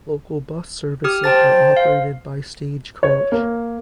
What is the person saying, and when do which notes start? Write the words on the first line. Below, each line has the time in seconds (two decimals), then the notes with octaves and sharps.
Local bus services are operated by Stagecoach.
1.04 G4 D#6 F6
1.24 C5 G5 A5 A6
1.77 F5
3.03 C#5
3.32 A#3